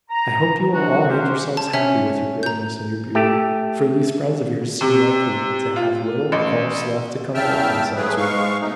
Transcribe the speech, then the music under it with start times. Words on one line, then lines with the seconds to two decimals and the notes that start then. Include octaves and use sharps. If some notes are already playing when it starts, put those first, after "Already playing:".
"I hope you will all make yourselves happy with your greatness and your beauty: for these friends of yours seem likely to have little else left to comfort themselves with."
0.09 A#5
0.73 C3 F#3 G#3 D4 F#4
1.07 B3 C#4 F#4 G4 A#4 C5
1.57 A5
1.73 C#4 E5
2.43 A#5 G6
3.15 A3 G4
4.81 C3
5.76 F4
6.32 A1
7.34 E2 C#3 E5 G5 A5 F6
7.96 F#3 A3 B3 G#4 B4
8.17 G#2 G#3 F5 C#6
8.61 B2 A3 D#4